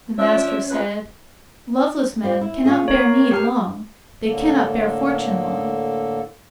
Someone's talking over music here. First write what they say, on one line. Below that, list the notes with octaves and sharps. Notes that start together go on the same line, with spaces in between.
The Master said, Loveless men cannot bear need long, they cannot bear fortune long.
F3 C#4 D4 C#5 E5
F2 B4
F4 C5 D5
E4
C#4 F4 G#4
A#3 A#4 C#5
G4 A#4 G5 A5 F6
A2 D3 A#3 A4